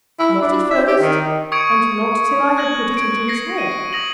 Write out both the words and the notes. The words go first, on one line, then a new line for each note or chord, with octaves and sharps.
Not at first, and not till I had put it into his head.'
E4
D4
E5
G4
D#3
C#6 D#6 G#6 C#7 D7
F#6 G#6 A#6 F#7
G#6 D7
G#6 A#6 C7 C#7
D#7
D#6 A#6 F#7